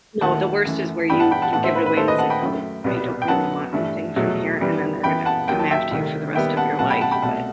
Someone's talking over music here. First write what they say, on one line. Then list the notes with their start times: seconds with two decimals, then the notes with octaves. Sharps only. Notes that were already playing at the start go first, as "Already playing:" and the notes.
No, the worst is where you you give it away and it's, like, "Oh, I don't really want anything from here," and then they're gonna come after you for the rest of your life, but
0.21 D#2 D#3 A3 F#5 A5
0.65 F#2 E3 A3
1.10 G2 E3 B3 G5 B5
1.20 F#5 A5
1.31 G5 B5
1.42 F#5 A5
1.53 A2 E3 B3 F#5 A5
1.64 C5 E5
1.75 B4
1.86 B4
1.97 D#2 D#3 A3 A4 C5
2.08 B4 D#5
2.18 F#5 A5
2.30 G5 B5
2.41 F#2 F#3 A3
2.84 C2 B2 G3 B3
3.22 G5
3.28 F#2 F#3 B3 F#5 A5
3.73 G2 E3 A3
4.16 E2 B2 F#3 A3
4.60 F#2 E3 G3 B3
5.03 F#2 E3 B3 G5 B5
5.25 F#5 A5
5.48 D#2 D#3 F#3 G5
5.59 A5
5.71 E5 G5
5.91 C2 C3 D#3 A3
6.35 D#2 D#3 G3 B3 E5 G5
6.57 F#5 A5
6.79 B2 F#3 A3 F#5 A5
6.90 G5 B5
7.01 F#5 A5
7.11 G5 B5
7.22 C2 B2 A3 F#5 A5